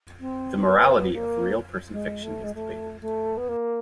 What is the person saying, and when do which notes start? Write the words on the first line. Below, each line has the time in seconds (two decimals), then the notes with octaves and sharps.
The morality of real person fiction is debated.
0.20 C4
0.66 B3
1.13 A#3
1.92 G#3
2.23 A3
2.43 G#3
2.54 A3
3.01 A3
3.37 B3
3.49 A#3